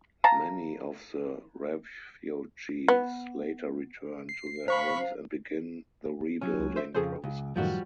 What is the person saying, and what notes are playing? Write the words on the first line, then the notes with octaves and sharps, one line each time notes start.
Many of the refugees later returned to their homes and begin the rebuilding process.
F5 A5 A#5
B3
C7
C5 F5 B5 C#6 B6
F#3 C#4
C#2
C5 E5
F2 C#3 F3 G#4 A4 C5
C#2
F#2 A2 D#3 F3 G3 F#4